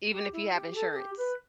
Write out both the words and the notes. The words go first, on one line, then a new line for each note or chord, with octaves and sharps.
Even if you have insurance?
G4
E4
G4
G4
A4
A4
G4
B4